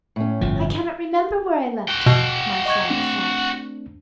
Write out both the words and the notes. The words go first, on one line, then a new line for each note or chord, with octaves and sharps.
"I cannot remember where I left him!" Marcella said.
A2 C#4
G1 F3
F#4 G5
B2
D#5 C#6 G#6
A3 C4 D4